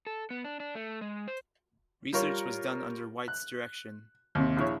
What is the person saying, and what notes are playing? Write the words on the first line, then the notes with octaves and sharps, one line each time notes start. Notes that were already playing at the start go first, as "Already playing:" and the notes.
Research was done under White's direction.
A4
B3
D4
D4
A3
G#3
C5
G3 F4 A#4 C#5
F#6
D#2 C3
A#1 E4 C#5